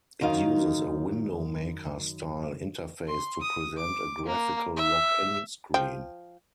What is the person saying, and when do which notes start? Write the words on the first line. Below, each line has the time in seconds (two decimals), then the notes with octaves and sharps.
It uses a Window Maker-style interface to present a graphical login screen.
0.21 F#2 D#3 D#4 F5
3.07 C6
3.41 D#6
3.77 D6
4.25 A#3
4.76 E5
5.74 F3 G5